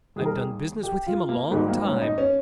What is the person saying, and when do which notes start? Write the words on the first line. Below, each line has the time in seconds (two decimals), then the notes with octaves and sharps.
I've done business with him a long time.
0.16 D#2 D#3 G3 G#4
0.25 A#4
0.35 G#4
0.83 G4
1.07 F4
1.29 A#3
1.51 G#1 G#2 D#3 G3 G#3
1.68 A#3
1.85 C#4
2.02 D#4
2.18 C#4